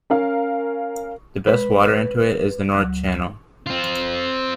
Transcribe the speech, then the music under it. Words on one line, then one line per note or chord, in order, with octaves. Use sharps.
The best water into it is the North channel.
C#4 A#4 F5
G#3 B4
D2 F#3 F#6
C4 F4